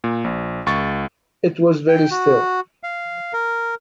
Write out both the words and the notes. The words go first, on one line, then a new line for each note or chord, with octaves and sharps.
It was very still.
A#2
A#1
C#2 C#6 A6
G5
F#4
F5
A#4